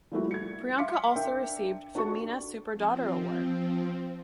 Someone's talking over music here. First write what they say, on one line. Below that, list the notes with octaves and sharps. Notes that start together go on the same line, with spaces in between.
Priyanka also received "Femina Super Daughter Award".
F3 G3 A3 A#3 E4 F#4
G#6 C#7
E5 F5 C6 D6 B6 C#7
D4 A#4 E5 G5
D4 F#4 A4 A5 C#6
F3 C4